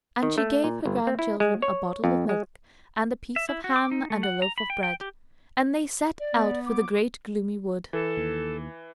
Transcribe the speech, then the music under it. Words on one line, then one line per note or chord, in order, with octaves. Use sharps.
And she gave her grandchildren a bottle of milk and a piece of ham and a loaf of bread, and they set out for the great gloomy wood.
D#3
A3
A#2
G1
C4
E4
G#3
C#5
F2
G#3
E5
E4
F#4
D6
D#4
A3
F#5
A#5
B5
G5
G5
G4
D5
B3
D6
E3 A4
D#2